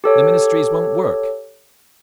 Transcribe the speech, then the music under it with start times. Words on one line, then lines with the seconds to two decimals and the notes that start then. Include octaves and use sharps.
The Ministries won't work....
0.04 G4 A4 C#5